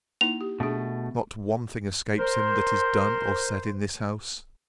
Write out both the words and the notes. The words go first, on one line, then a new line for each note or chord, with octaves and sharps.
Not one thing escapes him that is done or said in this house.
A#3 D#4 E4 F7
G4
B2 A3 D4 G#4
A#4 C5